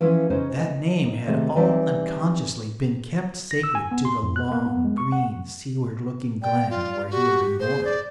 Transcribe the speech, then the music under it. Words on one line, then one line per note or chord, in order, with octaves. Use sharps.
That name had all unconsciously been kept sacred to the long, green, seaward-looking glen where he had been born.
E3 F3 C#4 E4
C#3 C#4 D#4 B4 C5
D#5
D#4
C3 D#3 A3 G#4
E3 G3 C4 D#4 D5 E5
A#6
E6
G#5
B3
C6
F2
F#6
A#3
B3
G#3
C#6
F#5
D5 G5
F4
F#4 G4
G#4 C5
D5